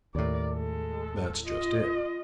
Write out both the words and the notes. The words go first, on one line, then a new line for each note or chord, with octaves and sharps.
"That's just it."
D#2 A2 A#4 D5
G#3 A4
F4 D#5